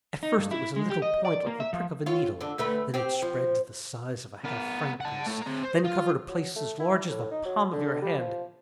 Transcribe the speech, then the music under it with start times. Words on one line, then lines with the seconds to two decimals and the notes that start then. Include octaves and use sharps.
At first it was a little point like the prick of a needle,--then it spread to the size of a half-franc piece,--then covered a place as large as the palm of your hand.
0.23 D#4
0.37 G2
0.51 E4
0.76 G#3
0.90 G4
1.02 D#5
1.25 D5
1.46 A#3
1.60 E5
1.73 F3
2.06 F4 C#5
2.41 D3 D4
2.58 D2 A3 B4
2.94 C4 G4
3.22 F3
4.45 B3 A#4
5.01 F#5 A5
5.26 A2 A3
5.42 C4 A#5
5.63 C5
5.84 F4
6.28 F#3
6.56 A3
6.80 E4
7.09 A2
7.31 D#4
7.45 F#3
7.72 D3
8.02 G3
8.18 F3